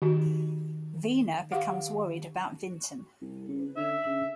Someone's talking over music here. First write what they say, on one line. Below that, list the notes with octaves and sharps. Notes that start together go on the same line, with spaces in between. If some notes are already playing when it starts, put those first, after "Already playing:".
Wiener becomes worried about Vinton.
D#3 D#4 F#4 G4
G4 F5 F#5
C2
C#3
D3 E5
C#3